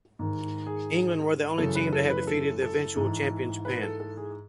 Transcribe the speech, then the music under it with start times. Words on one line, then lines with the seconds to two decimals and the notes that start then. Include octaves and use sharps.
England were the only team to have defeated the eventual champion Japan.
0.19 G#2 D#3
0.66 G#4
1.58 F#2 C#3 E3 A4
1.75 B4
1.93 A4
2.10 B4
2.27 A4
2.62 A4
2.96 G#2 E3
3.65 B4
3.83 A4
4.00 A4
4.17 G#4